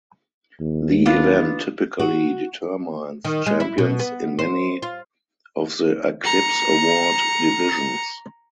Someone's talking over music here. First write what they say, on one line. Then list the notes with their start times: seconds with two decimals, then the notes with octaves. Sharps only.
The event typically determines champions in many of the Eclipse Award divisions.
0.60 D#2
1.06 B3 D4 F4
1.99 F#4
3.25 D#3
3.46 G#3
3.60 E4
3.78 B2
4.00 B3
4.39 C5
4.82 F4
6.24 A#5 C#7